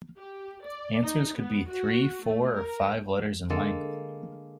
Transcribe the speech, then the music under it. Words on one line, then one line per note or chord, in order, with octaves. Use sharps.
Answers could be three, four, or five letters in length.
G4
D5
D#4
B3
F#4
A3
A#4
D3 G#3 A#3 A4